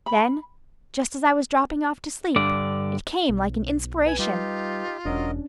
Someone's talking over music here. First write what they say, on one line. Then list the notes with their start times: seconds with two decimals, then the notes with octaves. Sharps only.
Then, just as I was dropping off to sleep, it came like an inspiration.
0.06 B5
2.36 G2 D3 D5
3.29 B1
4.06 B4 G#5
4.19 G3 D#4 F4 G4
5.05 E1 F#3 C#4 D4 A#4 D#5